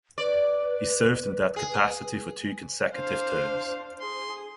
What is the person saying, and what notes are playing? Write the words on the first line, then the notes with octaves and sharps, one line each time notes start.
He served in that capacity for two consecutive terms.
B4 D5
G#4
D4 C5 F5
G#4 C6